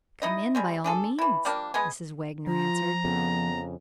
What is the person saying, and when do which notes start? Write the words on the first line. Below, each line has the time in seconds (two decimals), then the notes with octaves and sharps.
"Come in by all means," Mrs. Wagner answered.
0.22 D#4 E4 D#5
0.55 G3 G#3 C4
0.84 D4 G#4 A4
1.19 E3 E4
1.45 F3 G3 A#3 D4
1.74 G#3 B3 G#4
2.47 F3 F4 A#5
3.04 F2 C#3 B3